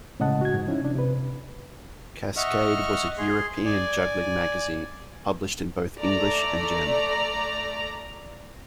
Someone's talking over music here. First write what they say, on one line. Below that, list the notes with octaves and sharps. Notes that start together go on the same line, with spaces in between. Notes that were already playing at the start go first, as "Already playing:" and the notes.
"Kaskade" was a European juggling magazine, published in both English and German.
A2 C#3 G#3 D#5 F#5 A5
F#4 G#6
F2 G#2
F3 C#4 D#4 E4
C3 D4
C3 B4
D#5 E5 F#5 C#6 F6
G#4 C6
D5 G#5
A3 D5 A#5